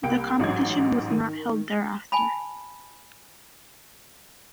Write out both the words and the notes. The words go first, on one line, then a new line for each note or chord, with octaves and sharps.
The competition was not held thereafter.
C2 A#3 G5 D7
A1 G#2 F#3 D#5 G#6
D#3
G#5 A5 B5